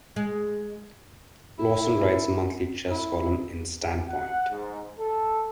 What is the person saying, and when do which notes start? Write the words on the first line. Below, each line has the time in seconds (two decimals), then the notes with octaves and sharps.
Lawson writes a monthly chess column in Standpoint.
0.16 G#3
1.59 E4
2.91 E4
4.08 F#5
4.51 G#2
4.99 A4